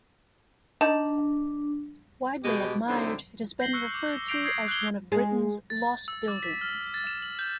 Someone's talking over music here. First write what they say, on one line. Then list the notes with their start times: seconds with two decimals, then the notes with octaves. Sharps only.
Widely admired, it has been referred to as one of Britain's 'lost buildings'.
0.81 D4 D#4 A5
2.43 B2 G#3 G4
2.86 D3 F#3 C4 D#4 E4
3.60 G6 A#6 C7 F#7 G7
3.73 C#6 E6 F#6 C#7
3.94 D6
4.28 E6 G6 A#6 C7 D7 F7
4.44 D#6 G6 G#6 A#6 C7 F#7
4.68 F#6 G6 C7 F#7 G7
5.12 G#3
5.70 A6
6.08 E6
6.28 D6
6.43 B6
6.61 F6
6.94 A6
7.07 E7
7.22 F#7
7.39 G6